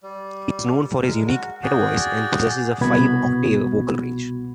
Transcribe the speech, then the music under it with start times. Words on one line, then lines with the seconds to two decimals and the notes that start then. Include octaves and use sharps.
He is known for his unique head voice and possesses a five-octave vocal range.
0.03 G3
1.04 G#3 A#4
1.27 F#4
1.63 F#4 G#4 D5 G5
2.81 C2 B2 B3 F#4 B5 G#6